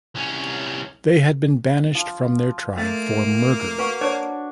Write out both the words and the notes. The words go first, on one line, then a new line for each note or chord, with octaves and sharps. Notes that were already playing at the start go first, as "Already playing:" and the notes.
They had been banished from their tribe for murder.
C2 C#4
F3
A3 A#3
F#4 B4 F5 C#6
D4 C5 C#5